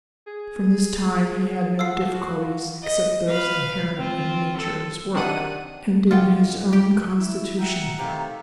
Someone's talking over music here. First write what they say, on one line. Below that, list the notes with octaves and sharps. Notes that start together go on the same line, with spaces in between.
From this time he had no difficulties except those inherent in the nature of his work, and in his own constitution.
G#4
F4 A4 F#5 E6 F6 C7
F#4
D#5
B4 F5
C4 F4
A4
C3 D#3 D4 F#5 D#7
C#2 F4 F#5 G5
G4
E4
E5 F#5 G5 A#5
C3 D#3 A3 G4 F5